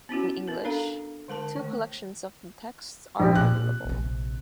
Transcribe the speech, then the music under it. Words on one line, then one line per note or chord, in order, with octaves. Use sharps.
In English, two collections of the texts are available.
B3 C#4 E4 F#4
B3 A#4
D4 A4 F5 A#5
D3 G#3 A#4 A5
D#3 A3
A#1 G4
A#2 C4 F#6
A#1 C3